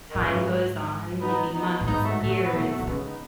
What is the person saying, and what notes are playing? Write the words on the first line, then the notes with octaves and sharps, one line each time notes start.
time goes on, maybe months, years,
D#3
A2
G#2 C#3 E3
B3 D#4
B3 D#4
A2
G#2 B3 D#4
F#3 A3
A2 F#3 A3
F#3 A3
B3
B2 F#3 A3
F#3 A3
D#3
C#3 G#3 B3
B3 D#4